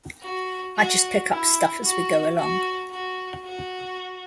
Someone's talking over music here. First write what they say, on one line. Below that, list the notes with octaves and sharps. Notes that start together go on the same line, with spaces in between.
I just pick up stuff as we go along.
F#4
F#4
E4
F#4
F#4
F#4
F#4